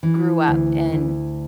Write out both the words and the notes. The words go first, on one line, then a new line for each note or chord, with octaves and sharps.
grew up, and,
E3
D2
D2